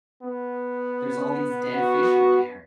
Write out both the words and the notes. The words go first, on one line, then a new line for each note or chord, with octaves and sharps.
There's all these dead fish in there.
B3
F#4